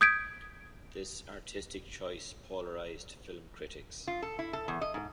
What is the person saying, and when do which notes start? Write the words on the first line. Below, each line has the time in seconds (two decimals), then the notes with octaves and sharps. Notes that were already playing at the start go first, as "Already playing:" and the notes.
This artistic choice polarized film critics.
0.01 D#6 G6 G#6 B6 D7
4.07 F4
4.22 A4
4.39 E4
4.53 A4
4.68 E2
4.81 D#5
4.94 G#2